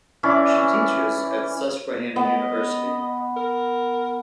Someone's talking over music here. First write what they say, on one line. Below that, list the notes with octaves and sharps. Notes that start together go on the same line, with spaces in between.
She teaches at Susquehanna University.
E3 C#4 D5 D6
B3 D#5
A#4